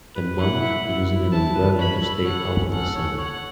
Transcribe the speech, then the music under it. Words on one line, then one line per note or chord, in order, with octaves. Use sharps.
A monk using an umbrella to stay out of the sun.
B4
E4 F#5
E5
E4
E4
E4 A5
B4
C#5 B5
A4
C#5 F#5
C#4
A4 F#5
C#5
C#5 F#5